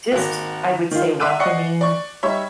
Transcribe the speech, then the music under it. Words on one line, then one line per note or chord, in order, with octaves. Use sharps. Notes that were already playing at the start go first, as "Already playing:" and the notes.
just, I would say, welcoming,
G#1 A#3 F#4
D#3 F4
E5 C6 D6 E6 F#6 D#7
D5 D#5 F#5 C#6 C7 C#7
D5 C#6
G3 D#4 C#5 E5